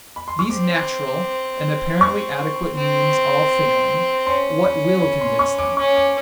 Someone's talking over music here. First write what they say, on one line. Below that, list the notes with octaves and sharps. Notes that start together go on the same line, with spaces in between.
These natural and apparently adequate means all failing, what will convince them?
B5
C6
C#6
C4 D6
C#6
C4
C#4 C6
B5
B5
C6
C#6
D6
C#4 C#6
D6